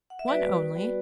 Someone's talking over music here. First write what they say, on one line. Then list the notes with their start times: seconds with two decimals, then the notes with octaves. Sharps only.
"One only?"
0.10 F#5
0.19 E5
0.28 G3 B3 F#4 B4 D5
0.75 G3 B3 F#4